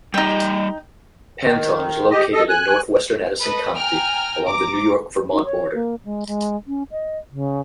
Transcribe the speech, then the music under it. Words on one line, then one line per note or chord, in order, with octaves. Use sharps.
Panton is located in northwestern Addison County, along the New York-Vermont border.
G3 D#4 G4 D#5 G5
D#3
G4 D#5
A4 D#5
G#5 F#6
A4 B4 D#5
G5 G#5 A#5 F6
A#5 D6
D#4
C#5
A#3
G#3
G#3
C#4
D#5
C#3